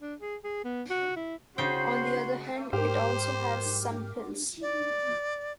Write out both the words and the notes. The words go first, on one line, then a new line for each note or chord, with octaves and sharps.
On the other hand, it also has some hills.
D4
G#4
G#4
B3
F#4
E4
C#3 F#4 C5 G5 C6
G#2 G4 A#4 C5 D6 F6
D5